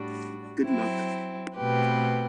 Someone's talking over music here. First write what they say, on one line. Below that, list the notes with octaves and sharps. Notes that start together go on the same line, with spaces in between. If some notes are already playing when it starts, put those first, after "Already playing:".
Good luck !
Already playing: A2 G3 D4 F#4
F#3 C4 E4
B2 A3 C4 G4 B4